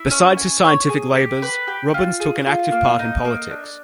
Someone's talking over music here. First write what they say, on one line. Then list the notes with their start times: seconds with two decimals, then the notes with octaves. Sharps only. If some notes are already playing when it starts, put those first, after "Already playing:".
Besides his scientific labours, Robins took an active part in politics.
Already playing: E4
0.11 C#4
0.37 G#5
0.64 C#5
0.89 G#4
1.15 G4
1.42 B4
1.67 G4
1.94 F4
2.20 G#4
2.46 F4
2.72 A#3
2.99 D#4
3.25 A#3
3.51 D4